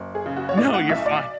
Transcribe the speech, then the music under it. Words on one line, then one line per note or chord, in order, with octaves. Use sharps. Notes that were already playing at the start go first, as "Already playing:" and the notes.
No, you're fine.
Already playing: F#1
G#4
C#3
F#4
C#5
A2 D5
F#5
B1 E5
D5